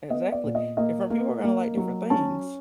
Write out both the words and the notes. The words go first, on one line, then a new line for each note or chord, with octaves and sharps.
Exactly, different people are gonna like different things.
B3 D#5
D5
A#2
D#5
A#3 D#5
A#3
A#3
F#3
C#4 A5